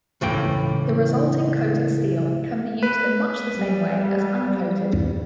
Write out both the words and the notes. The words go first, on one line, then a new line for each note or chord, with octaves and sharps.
The resulting coated steel can be used in much the same way as uncoated.
C#2 A2 E3 G5
B4
G3